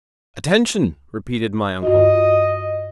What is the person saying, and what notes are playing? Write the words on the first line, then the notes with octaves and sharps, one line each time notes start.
"Attention!" repeated my uncle.
G2 F4 F#4 D#5